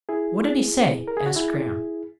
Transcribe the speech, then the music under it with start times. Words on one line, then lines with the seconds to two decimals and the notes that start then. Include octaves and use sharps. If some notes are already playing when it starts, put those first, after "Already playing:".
"What did he say?" asked Graham.
0.09 E4 G#4
1.08 A#4
1.17 G#4
1.26 F#4
1.36 E4 G#4